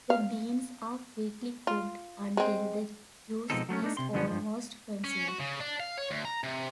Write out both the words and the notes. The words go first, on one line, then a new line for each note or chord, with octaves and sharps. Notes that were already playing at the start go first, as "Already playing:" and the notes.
The beans are quickly cooked until the juice is almost consumed.
F5
F4
G#3 C4
B2 F3 G#3 C4 D#4 A4
F#3 A3 C4 C#4
A3 D4 D#4
C3 C6
F#2 D3 F3 B3 C#4
G2 F3
C#4
F#4
C#3
D4
F5
C#5
D2
A#5
C3